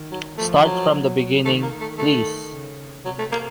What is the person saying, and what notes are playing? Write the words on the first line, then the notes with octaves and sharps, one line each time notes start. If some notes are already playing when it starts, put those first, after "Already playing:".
Start from the beginning, please.
Already playing: D#3
F#3
F3 A3
F#3
F#3
D#3 A3
A#3
A3
A3
C#3
C3 F#3
A3
A#3